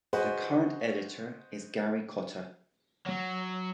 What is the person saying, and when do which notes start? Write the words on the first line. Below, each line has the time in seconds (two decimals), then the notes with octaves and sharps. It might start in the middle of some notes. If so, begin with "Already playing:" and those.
The current editor is Garry Cotter.
0.13 F#4 G#4 B4 C5 D#5
3.06 F#3